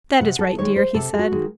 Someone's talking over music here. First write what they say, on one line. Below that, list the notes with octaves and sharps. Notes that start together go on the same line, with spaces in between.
"That is right, dear," he said.
C3 F#5
A4
D#3 G#3 C#5
C5
C3 A4
G#4
F#4
D#3 G#3